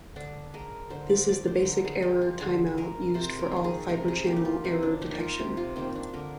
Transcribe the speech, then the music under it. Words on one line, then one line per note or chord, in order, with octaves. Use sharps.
This is the basic error timeout used for all Fibre Channel error detection.
D3 D4
G#3 A#4
D3 C5
D5
G#3 D5
C5
D3 A#4
G#4
G#3 G4
F4
D3 G#4
G#3 A#4
C3 C5
A#4
D#3 A#3
G#4
C3 A#4
G#4
D#3 A#3 G4
D#4
F4
C3 D#4
D4
D#3 A#3 D#4
F4
C3 G4
F4
D#3 A#3 C4
D4
D3 A#4